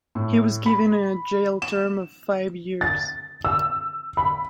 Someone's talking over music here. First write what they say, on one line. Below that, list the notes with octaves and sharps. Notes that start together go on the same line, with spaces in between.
He was given a jail term of five years.
A2
B5
E7
A6
E6
B5